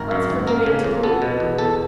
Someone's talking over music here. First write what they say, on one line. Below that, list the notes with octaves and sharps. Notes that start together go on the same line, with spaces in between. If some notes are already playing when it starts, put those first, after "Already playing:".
What's forgiving to do?
Already playing: G#1 A#4
F#2
G#1
A#3 A#4
C#3
F2
B3 A4
B2
E2
E2 A4